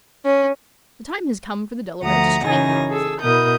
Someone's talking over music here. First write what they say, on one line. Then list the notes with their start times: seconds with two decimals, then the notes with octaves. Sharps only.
"The time has come for the Delaware to strike!" said Duncan.
0.25 C#4
2.03 D2 F3 A3 F#5 A#5 D#6
2.44 F#2 C#3 E3 D#4 G#5 A#6
2.88 G#4 A4 E6
3.21 B2 E4 A#4 D#6 G6